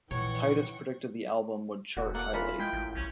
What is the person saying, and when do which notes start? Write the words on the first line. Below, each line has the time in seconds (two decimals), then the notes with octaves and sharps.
Titus predicted the album would chart highly.
0.11 A#2 E3 F3 C#5 F#5 G5 C#6
1.97 E1 F#4
2.14 A#3 A4 F#5
2.33 E3 F4 A#4 B5
2.60 G#3 G5
2.73 A1
2.95 C2 C#4